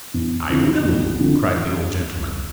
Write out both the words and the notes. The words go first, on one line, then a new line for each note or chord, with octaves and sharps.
"I will!" cried the old gentleman.
E2
D3 F3 C4 E4
E2
D3 F3 C4 E4
E3